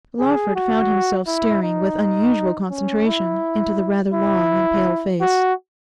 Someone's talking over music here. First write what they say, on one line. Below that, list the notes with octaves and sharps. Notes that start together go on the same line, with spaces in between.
Lawford found himself staring with unusual concentration into the rather long and pale face.
G#4
F#4
E4
D#4
C#4
E4
E4
F#4